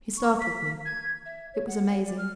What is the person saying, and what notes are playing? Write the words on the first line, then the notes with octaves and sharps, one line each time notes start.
He startled me. It was amazing.
C#6
B6
G#6
E5
C#5
F#5
D5
F6